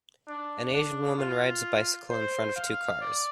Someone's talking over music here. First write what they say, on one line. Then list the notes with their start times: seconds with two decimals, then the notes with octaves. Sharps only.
An Asian woman rides a bicycle in front of two cars.
0.28 D4
0.73 D4
1.18 F4
2.10 C5
2.56 F5
3.01 D5